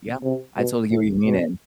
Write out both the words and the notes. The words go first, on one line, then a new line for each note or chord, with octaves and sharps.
Yeah, I totally hear what you mean, and,
C3
B2
A2
B2